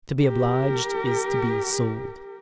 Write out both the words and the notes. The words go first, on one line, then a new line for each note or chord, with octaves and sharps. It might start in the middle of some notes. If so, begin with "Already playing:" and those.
To be obliged is to be sold.
G4 A#4